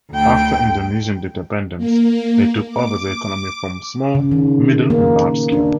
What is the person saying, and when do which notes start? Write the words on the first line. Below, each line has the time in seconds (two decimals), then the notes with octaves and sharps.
After Indonesian independence, they took over the economy from small, middle, and large scale.
0.11 D2 G5
1.78 A#3
2.70 D6
4.15 C#3
4.32 D#3
4.90 A#3
5.52 D4